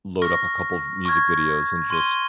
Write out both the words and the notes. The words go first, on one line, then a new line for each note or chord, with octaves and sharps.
load up a couple of music videos and just
C#6 F6 A#6
C#6 F6 G#6
C6 F6 G#6 D#7 G7